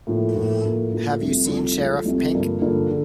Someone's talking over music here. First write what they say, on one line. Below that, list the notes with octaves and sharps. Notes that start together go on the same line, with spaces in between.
Have you seen Sheriff Pink?
A2 F3 A#3
A2 F3 A#3
A2 F3 A#3
A2 F3 A#3
C2 C3 F3 A3
C2 C3 F3 A3
C2 C3 F3 A3
C2 C3 F3 A3
G2 D3 F3 A#3
G2 D3 F3 A#3
D3